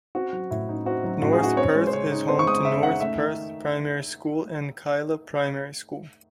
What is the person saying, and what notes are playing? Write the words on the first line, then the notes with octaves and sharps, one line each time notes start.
North Perth is home to North Perth Primary School and Kyilla Primary School.
C4 F#4
F#3
A2 E4
D#4
C4 F#4
F#3
A2 F#4
G#4
D#4 F#4
C4 C#5
G#3
C5
C#3 C#5
D#4
C4 C6
C#6
G#3 D#6
C#3 E5
D#4 F#5
A3 E5
D#3